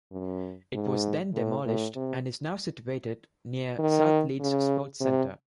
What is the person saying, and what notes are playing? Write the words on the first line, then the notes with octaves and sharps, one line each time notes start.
It was then demolished and is now situated near South Leeds Sports centre.
F#2
G#2
A2
A2
C3
D#3
C#3
C3